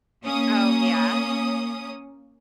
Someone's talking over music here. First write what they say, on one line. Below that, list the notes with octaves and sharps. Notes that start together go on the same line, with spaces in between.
Oh, yeah.
A#3 C#4 D#6